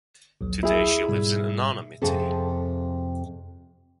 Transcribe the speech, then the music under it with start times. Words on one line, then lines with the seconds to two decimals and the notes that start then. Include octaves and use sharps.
Today she lives in anonymity.
0.41 A#1 D#2 F#3
0.63 E4 G#4
1.08 G#2 B2 G3
2.02 F2 C3 G#4 A4